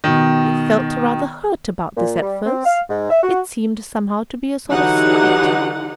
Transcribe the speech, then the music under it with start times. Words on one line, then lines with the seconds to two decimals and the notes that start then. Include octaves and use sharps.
I felt rather hurt about this at first; it seemed somehow to be a sort of slight.
0.04 B2 D#3
1.97 A#2
2.22 G3
2.45 C4
2.65 F5
2.89 G#2
3.10 E5
3.23 F#4
4.71 D3 E3 F#3 D#4 G4 F#5